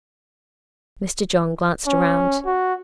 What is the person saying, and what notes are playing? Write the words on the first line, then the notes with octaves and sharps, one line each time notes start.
Mr. John glanced round.
C#4
F#4